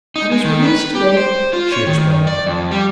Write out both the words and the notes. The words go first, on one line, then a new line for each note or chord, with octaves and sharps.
"I was released to-day," she explained.
D#4
G#3
D#3
B4
G4
C5
F4
C#5
D#3
D5
F2
G3